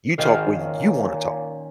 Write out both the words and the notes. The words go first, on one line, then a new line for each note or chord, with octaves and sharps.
you talk when you wanna talk.
G#1 D#3 F5
A#2 C#4